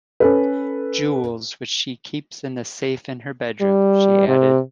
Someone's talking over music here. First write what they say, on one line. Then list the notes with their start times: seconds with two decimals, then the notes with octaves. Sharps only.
"Jewels which she keeps in the safe in her bedroom," she added.
0.20 C#4 A4 B4
3.61 G3
4.28 C3